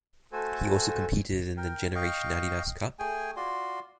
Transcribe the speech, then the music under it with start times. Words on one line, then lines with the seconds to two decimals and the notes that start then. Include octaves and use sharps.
He also competed in the Generation Adidas Cup.
0.32 A3 F#4 A4 C5 G#5
1.57 A#4 G5
1.95 D#5 F5 G5 C#6
2.99 A3 G#4 G5 G#5
3.36 F4 F#4 D5 C6